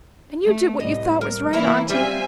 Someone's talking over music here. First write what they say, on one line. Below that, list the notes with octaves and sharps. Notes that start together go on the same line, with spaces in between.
And you did what you thought was right, Auntie.
A3
C2 A2 D#5
A#4
E3 A#3 E4 A#4 E5 A#5
G3 C4 F4 E5 G#5